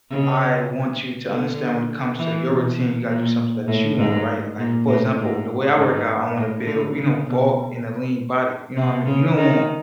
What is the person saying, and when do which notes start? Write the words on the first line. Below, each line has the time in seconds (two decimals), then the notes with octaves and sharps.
I want you to understand when it comes to your routine, you gotta do something that you want." Right? Like, for example, the way I work out, I wanna build you know, bulk and a lean body, you know what mean? You don't want
0.09 C#3
1.30 D3
2.19 E3
2.49 B2
3.08 A#2
3.68 A2
3.98 G#2
4.58 A#2
4.88 A2
5.18 G#2
5.77 G#2
6.37 A2
6.67 D3
6.97 C#3
7.27 B2
8.77 C3
9.06 C#3
9.36 D#3